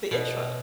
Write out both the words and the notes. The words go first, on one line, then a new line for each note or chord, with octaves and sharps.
the intro.
B2